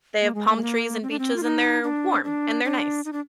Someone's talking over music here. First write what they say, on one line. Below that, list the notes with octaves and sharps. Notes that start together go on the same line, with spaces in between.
they have have palm trees and beaches, they're warm, and they're nice.
A#3
G#3
A#3
G#3
A#3
C4
D4
C4
F4
D#4
D4
D4
D4
D#4
D4